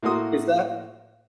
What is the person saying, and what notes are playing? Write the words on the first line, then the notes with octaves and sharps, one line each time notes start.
is that
A2 A#3 F#4 C6 D#6